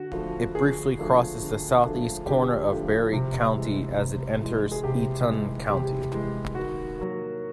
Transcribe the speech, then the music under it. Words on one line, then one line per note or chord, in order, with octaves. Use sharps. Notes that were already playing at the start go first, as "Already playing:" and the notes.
It briefly crosses the southeast corner of Barry County as it enters Eaton County.
Already playing: D3 F#4
F3 A3 D4
D3 G#4
F3 A3 D4
D3
F3 A3 D4
D3 G4
F3 A3 D4
C3
E3 G#3
C3
E3 G#3
G#4
C3 G4
E3 G#3
C3 G4
E3 G#3
D#3 F#4
F#3 A#3